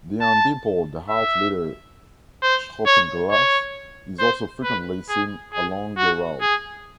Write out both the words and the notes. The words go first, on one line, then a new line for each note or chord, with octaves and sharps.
The undimpled half-litre "Schoppenglas" is also frequently seen along the route.
A5
E5
C5
C#5
C#5
C5
B4
G#4
G#4
F#4
G#4